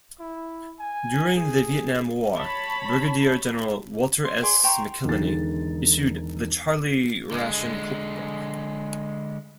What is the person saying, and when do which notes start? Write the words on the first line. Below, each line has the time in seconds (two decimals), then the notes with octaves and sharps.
During the Vietnam War, Brigadier General Walter S. McIlhenny issued "The Charlie Ration Cookbook".
0.20 E4
0.79 G#5
1.36 G#4
2.36 C#5 A5 B5
4.25 C6
4.42 G#4 D5 C6 D6
4.64 C5 G5 A#5 C#6
5.05 E1 D3 D#3 D#4 G#4 A6
7.31 D3 G#3